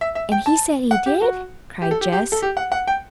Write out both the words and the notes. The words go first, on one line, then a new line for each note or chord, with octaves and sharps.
"And he said he did!" cried Jess.
E5
E5
G5
A5
F#5
G4
F#4
G4
A4
G4
G4
A4
G4
F#5
F#5
G5